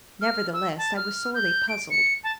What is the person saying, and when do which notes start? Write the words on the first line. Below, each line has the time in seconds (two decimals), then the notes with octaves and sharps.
Nevertheless, I was sorely puzzled.
0.21 F6
0.53 E6
0.78 A5
0.96 F6
1.35 G6
1.69 D7
1.90 C#7
2.24 A5